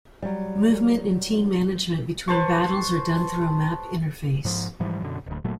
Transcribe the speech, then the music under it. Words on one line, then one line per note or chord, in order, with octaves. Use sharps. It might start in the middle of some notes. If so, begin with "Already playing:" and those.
Movement and team management between battles are done through a map interface.
F#3 G3
B4 C5 A5 C#6
G#2 F3
G#2 E3 F3 G3
F#2 B2 D3
D1 D2
G1 A#2 F#3 A3